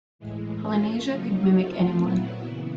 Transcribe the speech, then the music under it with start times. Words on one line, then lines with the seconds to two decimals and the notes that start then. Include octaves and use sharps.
Polynesia could mimic any one.
0.19 A2 E3 G#3
0.64 A3 C#4 F4
1.10 C#3 F#3 A#3 D#4
1.55 A3 C4 F4
2.01 A#2 F#3 B3 E4
2.46 C#3 E3